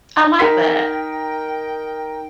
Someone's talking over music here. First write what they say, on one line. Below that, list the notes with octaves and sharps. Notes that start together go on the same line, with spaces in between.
I like that.
D#4 A#4 G5 B6